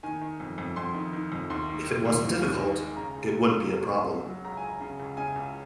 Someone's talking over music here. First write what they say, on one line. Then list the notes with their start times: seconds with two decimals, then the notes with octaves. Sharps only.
If it wasn't difficult, it wouldn't be a problem.
0.03 D#3 G#5
0.21 D#3
0.40 F2
0.58 F2
0.76 F2 C6
0.94 D#3
1.13 D#3
1.32 F2
1.50 D#2 C6
1.69 D#3
1.87 D#2
2.05 D#2
2.24 D#2
2.41 D#2
2.61 D#3
2.78 G#3
2.96 C#3 A#5
3.16 C#2
3.34 C#2
3.53 C#2
3.70 C#2
3.89 C#2
4.07 F#3
4.26 F#3
4.45 C#2 A#5
4.57 C#2 G#5
4.70 A#5
4.81 C#3
4.99 C#2
5.17 C#3 G#5
5.36 C#2